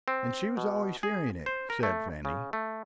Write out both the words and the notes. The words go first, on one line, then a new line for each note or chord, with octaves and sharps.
"And she was always fearing it," said Fanny.
C4
B2
G#4
C5
A#4
A3
C#3
A3